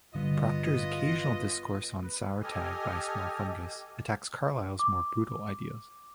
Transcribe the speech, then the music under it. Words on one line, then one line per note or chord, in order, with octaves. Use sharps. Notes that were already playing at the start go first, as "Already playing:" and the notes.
Proctor's "Occasional Discourse on Sauertieg by Smelfungus" attacks Carlyle's more brutal ideas.
G1 D3 G3 B3 F4 D#5
B4
G4 A4 D#5 G#5 D#6 F6
D6